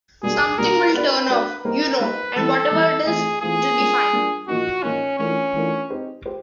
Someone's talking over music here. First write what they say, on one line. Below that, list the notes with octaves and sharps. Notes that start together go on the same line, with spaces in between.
Something will turn up, you know, and whatever it is it'll be fine.
B2 G3 A#3 D4 G4 G#4
B2 G3 A#3 D4 G4 A#4
B3 D4 F#4 A#4 B4 D5
B3 D4 F#4 A#4 D5
G3 A#3 D#4 G4 A#4 C5
G3 A#3 D#4 G4 B4 C5
E3 G3 B3 E4 A4
E3 G3 B3 E4
E3 A3 C4 F4 G#4
E3 A3 C4 F4 G#4
G3 A#3 D4 F4
G3 A#3 D4 F4
A#2 F3 A#3 D#4 F#4
A#2 F3 A#3 C#4 D#4
E3 A3 C#4 D4 F4 A#4
E3 A3 D4 F4 A#4
C4 D#4 G4 C5
G4 C5